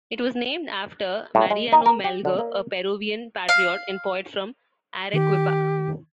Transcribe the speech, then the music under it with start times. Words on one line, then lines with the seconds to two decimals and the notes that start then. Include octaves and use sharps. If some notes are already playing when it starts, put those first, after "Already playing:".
It was named after Mariano Melgar, a Peruvian patriot and poet from Arequipa.
1.35 A2
1.50 G#3
1.72 D#4
1.86 A#4
2.04 G4
2.25 D3
2.39 A#3
3.49 F5
5.14 D#3 G4